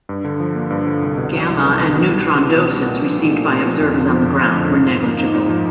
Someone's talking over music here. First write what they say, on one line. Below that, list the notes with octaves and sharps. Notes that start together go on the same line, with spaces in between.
Gamma and neutron doses received by observers on the ground were negligible.
G2
D3
F3
A#3
G2
D3
C2
B2
F#3
C2
C2
B2
B2
G3
B3
E4
B2
G3
A#2
F3
A3
A#2
A#2
F3
F2
D3
F3
F2
F2
D3
G#2
F3
A#3
D#4
G#2
F3